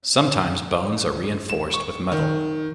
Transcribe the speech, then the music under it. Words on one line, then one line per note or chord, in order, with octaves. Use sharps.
Sometimes bones are reinforced with metal.
E7
C#6
D#3